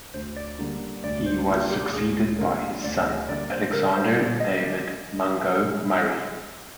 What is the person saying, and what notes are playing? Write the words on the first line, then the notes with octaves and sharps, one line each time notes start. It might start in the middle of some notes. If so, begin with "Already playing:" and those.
He was succeeded by his son Alexander David Mungo Murray.
D2 C5
D5
D3 G3 A#3 D4
D2 D5
C5
D3 G3 A#3 D4 F4
G4
D2 G#4
D3 G3 A#3 D4 A#4
D2 D5
D#5
D3 G3 A#3 D4 D5
C5
D3 A#4
C5
G3 A#3 D5
D#5
D3 D5
D#5